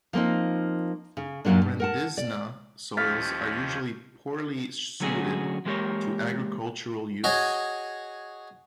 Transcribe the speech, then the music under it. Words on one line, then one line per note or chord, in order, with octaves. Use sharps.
Rendzina soils are usually poorly suited to agricultural use.
F3 A#3 C4 D#4
C#3
F#2 A#2 C#3 F#3 A#3 D4
G2
A#4 F#5 A5
D5
D#2 F3 C#4 G4 F5 A6 B6
D3 F#3 A3 C#4 F#4 G#4
E3 G#3 A#3 G4 A#4 C#5
F#4 G#4 C#5 D#5